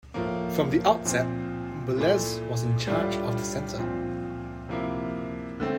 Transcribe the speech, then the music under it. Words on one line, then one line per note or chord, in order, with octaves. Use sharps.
From the outset, Boulez was in charge of the centre.
A2 F3 A#3
A#2 F3 C4 F4
A#2 A3 E4
A2 G3 D4 F4
A#2 F3 C4 F4
C3 F3 A#3 E4
D3 A3 C4